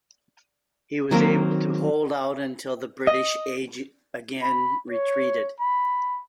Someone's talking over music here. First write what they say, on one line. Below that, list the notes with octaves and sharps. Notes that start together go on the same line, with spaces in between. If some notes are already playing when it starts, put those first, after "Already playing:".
He was able to hold out until the British again retreated.
D#3 F#3 A#3 C4
D#5
B5
C#5
B5